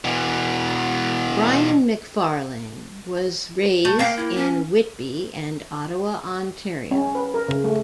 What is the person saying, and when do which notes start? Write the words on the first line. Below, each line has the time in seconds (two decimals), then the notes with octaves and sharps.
Brian McFarlane was raised in Whitby and Ottawa Ontario.
0.04 B2 E3
3.85 A3
3.99 A#3 F5 G5
4.17 E4
4.35 C#4
6.91 C#4
7.15 B4
7.34 A#4
7.49 C#3
7.64 A3